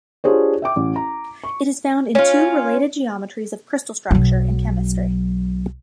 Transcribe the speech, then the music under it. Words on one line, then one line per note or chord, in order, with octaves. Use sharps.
It is found in two related geometries of crystal structure in chemistry.
D4 F4 G4 G#4 C5 C#5
E5 G5 D6
A1
A#5
C#6
C#4 F4
B1 F#3